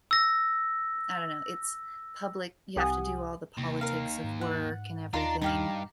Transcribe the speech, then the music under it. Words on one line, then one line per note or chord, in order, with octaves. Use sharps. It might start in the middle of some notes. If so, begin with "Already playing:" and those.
I don't know, it's public you have to do all the politics of work and everything,
E6 A#6
C2 G4 F#5 G#5 D#6
D#2 C3
A#4 F5
G#2
F#5
D#2 D4 D#4 F4 A#5
G2 D#4 G4 F5